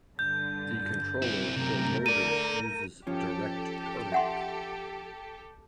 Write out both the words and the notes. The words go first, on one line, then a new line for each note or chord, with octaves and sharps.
The controller for motors uses direct current.
G2 D3 G6
C4 E4
F#2 C3 A3 A#4
A4 D5 D#7
F3 C#4 G4 A4
E5 F#5 C6